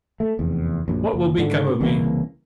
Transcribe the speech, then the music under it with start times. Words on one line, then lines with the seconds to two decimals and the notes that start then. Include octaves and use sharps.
What will become of me?
0.20 A3
0.39 F1 E2
0.88 A#1 F#2
1.13 F#1
1.38 G#2 D3
1.81 C2 C#3 E3 A#3